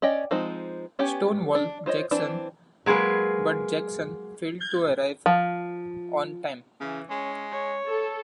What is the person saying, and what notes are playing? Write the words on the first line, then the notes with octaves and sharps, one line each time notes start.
"Stonewall" Jackson, but Jackson failed to arrive on time.
C#4 D5 D#5 G5
F3 G#3 C4 D#4
B3 C#4 G4 C#5 G#5
D4
F4 C5 C#5 D#5
E3 C4 D4
F#3 G#3 A#3 G#4 B4
F3
C#3 E3
G#3 C#4
C#5
A4